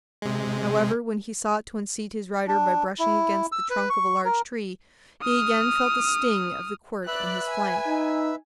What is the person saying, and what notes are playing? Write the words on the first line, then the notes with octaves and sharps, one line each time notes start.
However, when he sought to unseat his rider by brushing against the trunk of a large tree, he again felt the sting of the quirt on his flank.
C3 G#3
D4
E4
E6
B4
C#6
A#4
D#6 F6
B4 D5 E5 E6 F#6
G#5
D#4